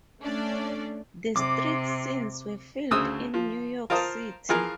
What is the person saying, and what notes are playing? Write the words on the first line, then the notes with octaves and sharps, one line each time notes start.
The street scenes were filmed in New York City.
A3 C#4 D4 D5
C3 D6
D2 C#3 C5 D#6 E6
F3
F4 A#4 C5 A5 D#6
E3 F3 F4 G#4 A#4 F5